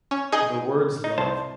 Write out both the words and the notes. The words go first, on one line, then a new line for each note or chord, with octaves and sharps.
The words Love.
C#4
D#4 G#4 D#5
D#4
C2 C5 A5